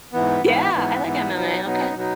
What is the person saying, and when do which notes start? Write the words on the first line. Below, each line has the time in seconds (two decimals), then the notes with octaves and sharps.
Yeah, I like MMA, okay.
0.13 G#2 E3 B3
0.42 G#2 E3 B3
0.73 G#2 E3 B3
1.04 G#2 E3 B3
1.34 B2 F#3 B3 D#4
1.65 B2 F#3 B3 D#4
1.94 B2 F#3 B3 D#4